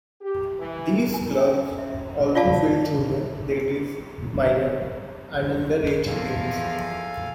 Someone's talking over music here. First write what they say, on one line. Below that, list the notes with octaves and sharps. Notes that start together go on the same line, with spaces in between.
These clubs also field Junior, Ladies, Minor and Underage teams.
G4
E3
G#5
C#4
E5
F4 D5 F5 A5
E2 F3 A4 F5 G#5